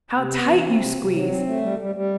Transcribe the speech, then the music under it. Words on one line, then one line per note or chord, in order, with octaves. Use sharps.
How tight you squeeze!
C3
B3
E3
C4
C3
C3
F#3
C4
A3
G3
G3
G3